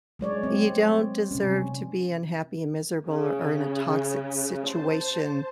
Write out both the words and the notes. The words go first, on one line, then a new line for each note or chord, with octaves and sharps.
You don't deserve to be unhappy and miserable or or in a toxic situation
F#3 G#3 C#5 D5
C4
C3 C#4
C#3
C5 A5